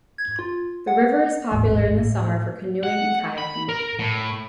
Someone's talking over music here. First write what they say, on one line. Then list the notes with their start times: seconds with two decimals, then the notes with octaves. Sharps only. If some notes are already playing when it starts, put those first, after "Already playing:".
The river is popular in the summer for canoeing and kayaking.
0.18 G#6
0.39 F4
0.87 F#5
1.51 D#1 G#1 A2
2.00 A2
2.83 F#5
3.38 B5
3.69 A#4
3.99 A2